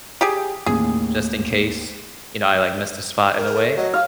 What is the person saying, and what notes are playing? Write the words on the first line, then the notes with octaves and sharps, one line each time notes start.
just in case, you know, I, like, missed a spot in a way;
G4 G#4
A1 D#2 G#4
A#4
A3
F#3 D#5
C#5 F5